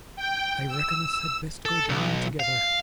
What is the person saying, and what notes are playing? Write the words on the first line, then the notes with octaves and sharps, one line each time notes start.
"I reckon us had best go down together."
G5
E6
A4
B1
F5